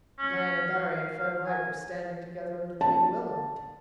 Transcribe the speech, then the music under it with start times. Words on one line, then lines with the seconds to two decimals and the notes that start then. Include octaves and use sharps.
Diana Barry and Fred Wright were standing together under the big willow.
0.18 C#4
0.68 F5
1.46 G#5
2.81 A5